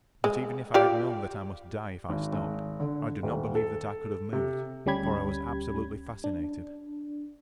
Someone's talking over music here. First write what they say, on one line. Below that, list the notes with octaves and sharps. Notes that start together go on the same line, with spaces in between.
But, even if I had known that I must die if I stopped, I do not believe that I could have moved, for I was absolutely fascinated.
G#3
F4 G4 D5
G#1
G#1
D3
D#1
A4
C3
D2 G3 C#4 G4 B5 G#6
D4